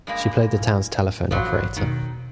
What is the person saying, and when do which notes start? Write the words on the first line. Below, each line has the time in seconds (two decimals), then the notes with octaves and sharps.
She played the town's telephone operator.
0.07 G2 G#3 A#3
0.58 A2 C#4
1.31 A1 G2 F3 F#3 F4
1.77 E2 B2 D#3